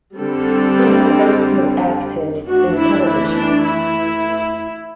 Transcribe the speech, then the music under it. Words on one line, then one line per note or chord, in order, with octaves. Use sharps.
He has also acted in television.
D3 G3 C4 A4
E3 A3 D4 F#4
E4
E4
D4
E4